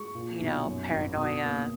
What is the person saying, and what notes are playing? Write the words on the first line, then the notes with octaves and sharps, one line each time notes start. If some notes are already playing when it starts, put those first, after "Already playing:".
you know, paranoia,
Already playing: G#3 C#6
A#2
B1
F#2
G#1
B2 D#6
A#3